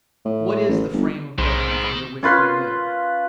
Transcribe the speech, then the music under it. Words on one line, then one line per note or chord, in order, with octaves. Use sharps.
What is the frame of Government under which we live?
A2
A1
G1
B1 D#3 G#4 C5 B5
C#4 F4 B4 C6